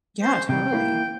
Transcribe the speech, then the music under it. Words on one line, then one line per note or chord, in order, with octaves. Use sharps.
Yeah, totally.
C5
C3 G3 G5
A#3 E4